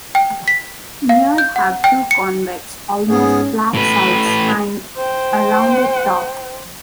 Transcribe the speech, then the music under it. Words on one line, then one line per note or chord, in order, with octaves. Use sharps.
Mere have two convex, almost flat sides and a rounded top.
G5
B6
F5
G6
F#5
G5
C#7
G#2 B3 C#4 G#4
A2 B4
C5 G5